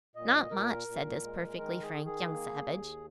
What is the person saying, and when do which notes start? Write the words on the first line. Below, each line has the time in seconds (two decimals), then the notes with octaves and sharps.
"Not much," said this perfectly frank young savage.
0.16 A#2 D#5
0.51 A#2 A#4
0.88 A#2
1.23 G#3
1.58 D#3 A#4
1.83 G#4
1.94 D#3
2.06 G#4
2.31 A#3
2.66 D#2